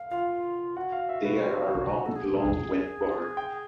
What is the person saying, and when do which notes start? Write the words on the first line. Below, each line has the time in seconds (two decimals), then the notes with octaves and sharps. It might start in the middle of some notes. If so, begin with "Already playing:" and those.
They are around long when born.
Already playing: F5
0.11 F4 F5
0.76 F#4 F#5
0.92 F5
1.09 E5
1.25 B4
1.42 C5
1.58 F5
1.91 F#5
2.06 A4
2.16 G#4
2.25 G4
2.33 A4
2.38 G#4
3.37 G5